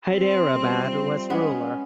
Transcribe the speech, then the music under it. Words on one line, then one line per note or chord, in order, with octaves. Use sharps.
Hyderabad was ruler.
C4 C6
C3 F3 G3
G#3 B3 C#4 B4